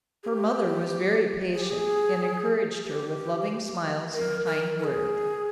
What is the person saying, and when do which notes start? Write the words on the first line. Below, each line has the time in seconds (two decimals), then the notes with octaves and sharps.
Her mother was very patient and encouraged her with loving smiles and kind words.
0.23 G#4
0.28 G4
1.54 G#4
1.61 G4
1.70 G#4
2.84 G4
4.14 A#4
4.46 A#4
4.79 A#4
4.84 G#4